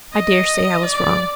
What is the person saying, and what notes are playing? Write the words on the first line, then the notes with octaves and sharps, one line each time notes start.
I dare say I was wrong.
D#5
D5